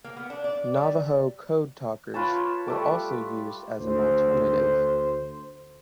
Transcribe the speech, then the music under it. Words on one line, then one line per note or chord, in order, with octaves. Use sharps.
Navajo code talkers were also used as an alternative.
A#3
B3
D4
D5
G3
F4 B4 C#5 A5
G3 A3 D6
D2 C5